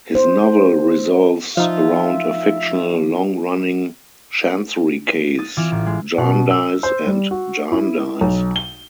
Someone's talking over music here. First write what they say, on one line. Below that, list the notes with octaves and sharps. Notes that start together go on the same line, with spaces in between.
His novel revolves around a fictional long-running Chancery case, "Jarndyce and Jarndyce".
C5
F3 D#4 F4 E5
D#6 A6
E3 C4 F4 D6 F6
A1
G#3
B2
E6
C5
G3
F#4
E4
B1
G7